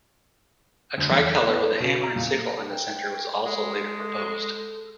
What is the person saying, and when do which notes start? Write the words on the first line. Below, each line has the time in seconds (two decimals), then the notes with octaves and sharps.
A tricolor with the hammer and sickle on the centre was also later proposed.
0.97 D2
1.11 E2
1.35 F#6
1.47 B3
1.80 B2
2.03 A#5
2.16 A#2
2.69 G5
3.45 G#3 A4